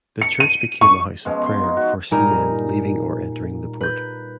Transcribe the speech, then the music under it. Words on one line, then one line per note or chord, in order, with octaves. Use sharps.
The church became a house of prayer for seamen leaving or entering the port.
C#7
D#7
C#6
B2 F3 G#3 C#4
C6
D#4
F#4
A#2 G3 D#4 A#4 G#5 A#5
B4 G6